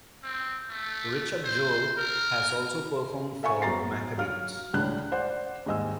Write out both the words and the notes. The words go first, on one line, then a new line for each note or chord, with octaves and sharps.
Richard Joel has also performed for the Maccabeats.
C4
A3
C5
A#4
A4 E5 G#5 C#6
F#2 B3 A#5 A6 C7
F#3 F5 F6
C#2 A2 C#4 D4 F#6
C5 D5 F#5
D#2 G#2 G4 D#5 G#5 E6